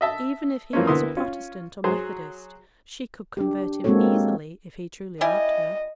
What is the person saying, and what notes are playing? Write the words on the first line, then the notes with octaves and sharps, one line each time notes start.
Even if he was a protestant or methodist she could convert him easily if he truly loved her.
D#5 E5 A5
E3 F3 A#3 C4 C#4
D2 B3 E4 A#4 C6 D#6
C#4 F4
F#3 G#4 C5
D4 G4
G#3 A#3 C4 F#4 A4 C#5
G3 E4 D#5 G#5